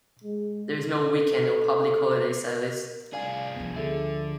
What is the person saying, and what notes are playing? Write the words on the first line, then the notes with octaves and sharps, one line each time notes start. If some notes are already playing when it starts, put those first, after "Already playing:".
There is no weekend or public holiday service.
G#3
A4
A#4
C2 G#4 D5 F5 G#5
D2 F3 B3
D3 G#4 A4 E5